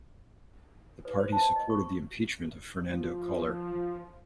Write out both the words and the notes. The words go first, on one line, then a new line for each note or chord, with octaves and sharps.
The party supported the Impeachment of Fernando Collor.
B4
C5
A5
D#5
C#6
F3